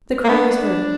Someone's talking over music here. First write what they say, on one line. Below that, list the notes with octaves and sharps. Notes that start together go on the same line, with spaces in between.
The cry was heard.
A#3
B3 D4
D4